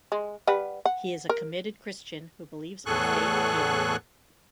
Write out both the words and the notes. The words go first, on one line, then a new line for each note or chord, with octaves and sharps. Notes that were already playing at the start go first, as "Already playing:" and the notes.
He is a committed Christian who believes in faith healing.
G#3
G3 B4 F#5
F#5
A#4
E2 A2 G#4 A4 C#6 F#6